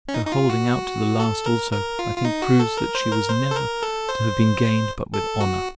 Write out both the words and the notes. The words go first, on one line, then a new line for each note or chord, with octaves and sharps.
Her holding out to the last also, I think, proves that she was never to have been gained but with honour.
C#4
D#4
D#4
F4
F#4
A4
A#4
A#4
F4
F4
D#4
F#4
A4
A#4
C5
A#4
C5
A4
A#4
A4
C5
A4
F#4